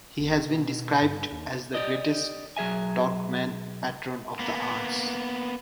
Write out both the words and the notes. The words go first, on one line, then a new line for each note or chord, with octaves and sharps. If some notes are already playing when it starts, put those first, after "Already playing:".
He has been described as the greatest Turkmen patron of the arts.
E1
B2
G2
D#2
G4 D5 D#5
B1 F#3 G#4 E5 G#5
A#3 B3